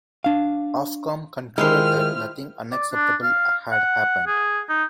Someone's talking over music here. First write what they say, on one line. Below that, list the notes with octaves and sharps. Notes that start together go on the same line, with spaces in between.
Ofcom concluded that nothing unacceptable had happened.
D4 F5
D#3 G#3 E4 F4 G4 C5 F6
D5
D4
F5
F#5
G#4
D#4